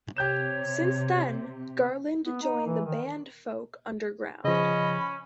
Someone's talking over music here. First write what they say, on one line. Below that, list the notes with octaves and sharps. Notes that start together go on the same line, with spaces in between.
Since then, Garland joined the band Folk UnderGround.
C3 G4 C#5 G6 E7
B3
D#4
E3
D#3
C#3 F3 C#4 D#5 B5